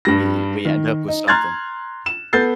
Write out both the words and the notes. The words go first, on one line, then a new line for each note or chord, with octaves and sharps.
we we end up with something.
G2 G3 A#6
D#3
D#4
A#5 C6 F6 F#6 G#6 A6
E7
B3 A4 G6 A6 C7